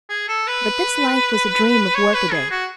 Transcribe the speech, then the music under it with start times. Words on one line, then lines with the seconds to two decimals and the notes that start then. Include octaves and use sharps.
But this life was a dream of workaday.
0.09 G#4
0.28 A4
0.47 B4
1.95 C#5
2.14 B4
2.32 G#4
2.51 F#4